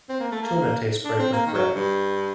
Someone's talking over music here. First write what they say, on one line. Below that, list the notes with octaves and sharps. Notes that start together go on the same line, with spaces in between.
Tuna tastes great with bread.
C4
A#3
A3
A#3
D4
C4
A#3
D#3
F#3
G2